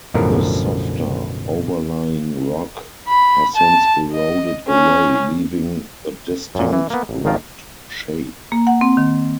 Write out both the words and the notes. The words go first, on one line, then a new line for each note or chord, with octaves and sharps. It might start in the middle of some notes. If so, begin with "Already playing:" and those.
The softer overlying rock has since eroded away leaving the distinct rugged shape.
B1 F#2 A2 D3 F3 A#4
B5
A5
D#5
C#4
F#2 A#2
E3
A#3 B3
A1
G#1 D#3 F3 F4 A#4
A#3
F#5
C4
D#3